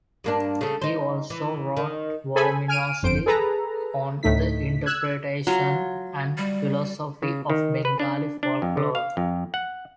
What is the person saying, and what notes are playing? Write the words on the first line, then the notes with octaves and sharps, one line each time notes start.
He also wrote voluminously on the interpretation and philosophy of Bengali folklore.
G2 A#3 D4
C#3 A3
D#4 C5
E3
D#3
G#4 A4 C5 G#5 B5
G#5 F6 D7 D#7
G1 F2 C5 D7
G#4 A4 B4 A#5
D2 A2 A3 D#4 B6
E6 F#6 G#6
F#3 F4
G3
C#3
D#3
B4
D4
D4
F2
D3
F5
F2
F#5